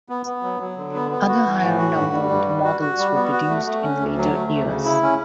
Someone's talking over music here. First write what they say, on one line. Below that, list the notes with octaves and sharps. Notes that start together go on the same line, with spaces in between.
Other higher-numbered models were produced in later years.
B3
B3
F#3
F#3
D3
B3
B3
F#4
E3
A2
F#4
G2
G3
G2
G3
F#4
F#4
G3
B3
F#4
A3
A3
C#4
D2
F#3
A3
D2
C#3
E4
C#4